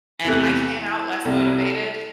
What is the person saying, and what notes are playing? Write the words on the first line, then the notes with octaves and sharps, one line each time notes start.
and I came out less motivated
E2 C3 E3 A3 E4
C2 C3 G3 A4